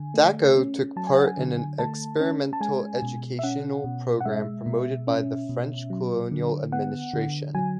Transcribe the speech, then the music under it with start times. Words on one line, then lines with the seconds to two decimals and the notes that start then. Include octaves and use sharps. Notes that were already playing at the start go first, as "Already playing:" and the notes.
Dacko took part in an experimental educational program promoted by the French colonial administration.
Already playing: D3 G#5
0.14 A3
0.55 C#4
0.96 F#3 A5
1.07 G#5
1.17 F#5
1.27 G#5
1.38 D3
1.79 A3 A5
2.20 C#4
2.53 A5
2.61 G#3 G#5
3.02 B2
3.39 E5
3.43 C#4 F#5
3.84 B2
4.21 F#5
4.25 G#3 E5
4.66 B2
5.07 C#4
5.49 B2
5.90 F#3
6.32 D3
6.72 B3 F#5
7.13 D3
7.55 F#3 G#5